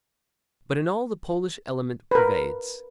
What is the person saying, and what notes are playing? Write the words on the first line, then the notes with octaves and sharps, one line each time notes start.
But in all the Polish element pervades.
A#4 B4